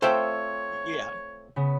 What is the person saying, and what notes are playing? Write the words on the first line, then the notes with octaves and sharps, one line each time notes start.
Y yeah.
A3 C4 F4 C5 C#5 E5 G5 E6
C#3 B3